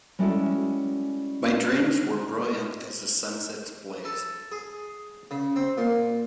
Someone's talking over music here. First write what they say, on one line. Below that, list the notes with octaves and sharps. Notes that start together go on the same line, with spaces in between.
My dreams were brilliant as the sunset's blaze.
G3 G#3 C#4 E4 F#4 A4
A4
G#4
C#3
C4
A#2